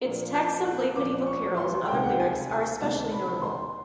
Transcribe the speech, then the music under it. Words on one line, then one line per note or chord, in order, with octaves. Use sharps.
Its texts of late medieval carols and other lyrics are especially notable.
A#2 F3 A#3 D4
G6
F#6
A#2 F3 A#3 D4 D6
C#6
C6
C#2 C3 D#3 G#3 B3 G5
F#5
G5
G#5
G#5
C#2 C3 D#3 G#3 B3 A5
B5
C6